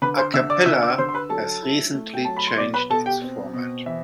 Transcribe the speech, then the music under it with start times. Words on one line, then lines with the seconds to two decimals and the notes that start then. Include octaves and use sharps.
Acappella has recently changed its format.
0.02 D3 B4 B5
0.18 C5 C6
0.34 D3 E5 E6
0.50 D5 D6
0.66 D3 E5 E6
0.82 D5 D6
0.98 D3 C5 C6
1.09 C6
1.14 B4 B5
1.29 F#3 A4 A5
1.62 E4
1.94 A3
2.14 G5
2.25 F#3 A5
2.37 B5
2.47 C6
2.58 B2 D5 D6
2.74 B4 B5
2.90 B2 A4 A5
3.06 G4 G5
3.22 C4
3.53 B2
3.86 E3 E5